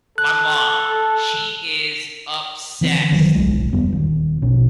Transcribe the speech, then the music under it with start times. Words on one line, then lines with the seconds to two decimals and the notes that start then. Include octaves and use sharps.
my mom, she is obsessed
0.18 A4 F#6
2.81 D3 E3 A#3 C4
3.11 F#1 D#3 F#3
3.34 D1 B1 G#3
3.73 F#1 F2 G3 B3
3.89 D#1 D#2
4.42 A#1 B2 C#4